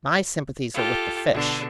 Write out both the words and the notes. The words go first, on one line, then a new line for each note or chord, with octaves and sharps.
"My sympathies are with the fish."
F4 G4 A4
B2 D3 D4